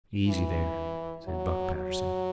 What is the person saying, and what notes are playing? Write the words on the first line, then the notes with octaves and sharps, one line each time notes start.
"Easy there!" said Buck Patterson.
E3
F#3
F#3